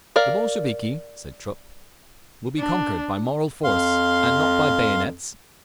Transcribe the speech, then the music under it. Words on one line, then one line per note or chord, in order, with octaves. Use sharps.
"The Bolsheviki," said Trupp, "will be conquered by moral force, and not by bayonets....."
A#4 D5 F5
D4
F2 F5 C6